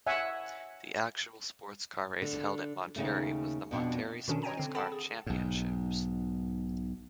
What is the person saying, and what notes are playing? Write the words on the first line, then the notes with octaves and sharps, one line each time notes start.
The actual sports car race held at Monterey was the Monterey Sports Car Championships.
C#5 E5 F#5 G#5
D3
D#2 C#3 A3
F2 B2 D4
B2 D3 D#3 C#4 D4
C#5 D#5 G5 G#5 A#5
D3 C4
A4 F#5 G5 A5 B5 A6
G#4
B1 G#2